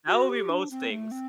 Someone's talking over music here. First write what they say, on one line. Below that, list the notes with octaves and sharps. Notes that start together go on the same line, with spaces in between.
that would be most things.
F#4
G4
D4
C4
A3
C4